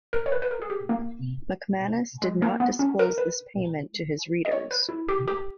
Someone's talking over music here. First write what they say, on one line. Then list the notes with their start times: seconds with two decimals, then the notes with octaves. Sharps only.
McManus did not disclose this payment to his readers.
0.13 A#4
0.26 C#5
0.32 B4
0.42 B4
0.51 A#4
0.62 G#4
0.70 G4
0.89 A#3
2.22 G#3
2.42 A#3
2.60 B3
2.79 C#4
2.99 A#4
3.18 B4
4.45 D#5
4.52 C#5
4.71 B4
4.89 E4
5.08 G4
5.28 G4